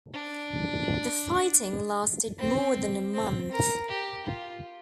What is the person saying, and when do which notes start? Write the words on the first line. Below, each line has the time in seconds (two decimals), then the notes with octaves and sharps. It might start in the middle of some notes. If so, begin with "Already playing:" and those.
The fighting lasted more than a month.
0.13 D4
2.39 C4
3.14 C4
3.52 A#4
3.89 G4
4.26 F4